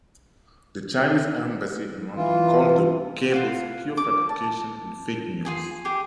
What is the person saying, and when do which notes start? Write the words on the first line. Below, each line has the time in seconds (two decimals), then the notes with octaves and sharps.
The Chinese embassy in London called the cables "pure fabrication" and "fake news".
2.17 E3 F4
3.32 F4 F5 F#5
3.97 D6
4.29 A5
5.45 F4 G#4 G#5
5.85 G4 G#4